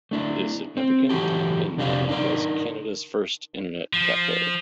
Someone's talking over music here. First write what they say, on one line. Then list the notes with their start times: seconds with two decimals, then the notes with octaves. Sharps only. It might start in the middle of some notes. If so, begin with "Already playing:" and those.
It is significant in that it was Canada's first internet cafe.
0.11 A3 D4 E4
0.77 C4
1.09 E3 F#4 G4 A4
1.77 F2 C3 D4 G4 D5 F5
2.09 D4 D#4 A#4 D5
3.93 F3